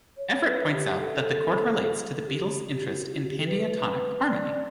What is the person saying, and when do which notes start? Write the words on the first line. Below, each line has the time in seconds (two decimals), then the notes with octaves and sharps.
Everett points out that the chord relates to the Beatles' interest in pandiatonic harmony.
0.17 C#5
0.45 B4
0.72 G4
1.00 A4
1.82 A4
2.23 A4
2.27 G4
2.64 G4
2.87 E4
2.97 F#4
3.06 G4
3.15 E4
3.23 F#4
3.31 G4
3.39 A4
3.47 B4
4.29 D5